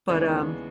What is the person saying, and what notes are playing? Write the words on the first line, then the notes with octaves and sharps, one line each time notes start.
But, um,
D#2 C#3 E3 G#3 B3 D5